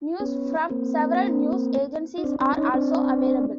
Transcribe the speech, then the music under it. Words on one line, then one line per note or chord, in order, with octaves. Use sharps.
News from several news agencies are also available.
B3 C#4
A#3 C4
D#4
C4 D4
C4 D4
C#4 D#4
C4 D4